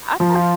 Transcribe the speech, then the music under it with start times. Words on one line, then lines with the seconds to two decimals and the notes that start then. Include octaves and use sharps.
I thought
0.20 F3
0.34 F4